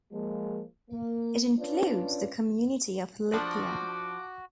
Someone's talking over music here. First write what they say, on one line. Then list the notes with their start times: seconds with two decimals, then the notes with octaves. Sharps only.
It includes the community of Lithia.
0.13 F3 G#3 A#3
0.91 A#3
1.60 C#4 D4 F4 B4 C#5 D5
3.34 F3 D4 F#4 D6